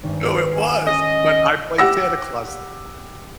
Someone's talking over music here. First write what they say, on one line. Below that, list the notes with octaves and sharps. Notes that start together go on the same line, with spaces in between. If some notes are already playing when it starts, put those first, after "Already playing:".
Oh, it was, but I played Santa Claus
G#1 G2
F#4 B4
G#5 E6
C#4 D#5
G4 F#5 E6 A#6